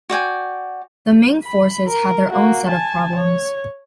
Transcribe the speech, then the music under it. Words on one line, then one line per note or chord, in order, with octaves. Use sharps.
The Ming forces had their own set of problems.
F#4 D5 G5 G#5
B5
A#4
A#3 F#4
G#5 A5
C#5